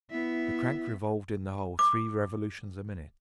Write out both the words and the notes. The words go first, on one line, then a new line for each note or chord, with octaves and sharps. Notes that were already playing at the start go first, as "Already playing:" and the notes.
The crank revolved in the hole three revolutions a minute.
B3 E4 E5
D6